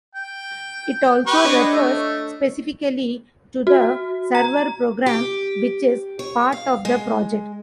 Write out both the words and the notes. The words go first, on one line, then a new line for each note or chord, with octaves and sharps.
It also refers specifically to the server program which is part of the project.
G5
G4 B4 C#6
D4 C#5 D#5
A3
F#4
A#5
G4
C#5
F5
G#3